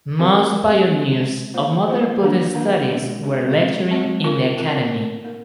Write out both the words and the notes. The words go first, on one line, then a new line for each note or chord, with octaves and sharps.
Most pioneers of modern Buddhist studies were lecturing in the Academy.
C4 G4 A#4
C4 G4 A#4
G#3 C4 G4
G#3 C4 G4
A#3 F4 C5
A#3 F4 C5
D#3 A#3 D4
D#3 A#3 D4
D3 G#3 D4 G4
D3 G#3 D4 G4
F3 G#3 C4
F3 G#3 C4
C4 F4 A#4
C4 F4 A#4
A#3 D#4 A#4
A#3 D#4 A#4